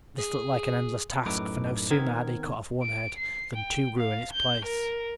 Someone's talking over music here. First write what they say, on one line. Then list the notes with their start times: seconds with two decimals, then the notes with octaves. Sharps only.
But this looked like an endless task, for no sooner had he cut off one head than two grew in its place.
0.19 G#4
1.26 F#2 A2 D#4 A4 B4 D6
1.90 D#3 B3 C4 A#4 G#6
2.83 D7
3.18 C7
3.55 G5
3.98 F5
4.32 G6
4.65 A#4